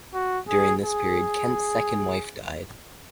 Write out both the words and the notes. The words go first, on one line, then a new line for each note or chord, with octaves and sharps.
During this period, Kent's second wife died.
F#4
G#4
G#4